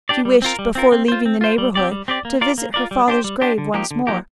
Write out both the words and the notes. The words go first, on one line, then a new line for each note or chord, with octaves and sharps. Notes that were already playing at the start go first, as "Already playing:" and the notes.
She wished before leaving the neighbourhood to visit her father's grave once more.
D4 G4 D5
G3
C4 F4 A#4
G3
C4 F4 A#4
C4
F4 C5
C4
F4 C5
G3
C4 G4 D5
G3
C4 G4 D5
A#3
F4 A#4 D5
A#3
F4 A#4 D5
G3
D4 G4 C5
G3
D4 G4 C5
D3
F3 A#3 D#4 G4
D3
F3 A#3 D#4 G4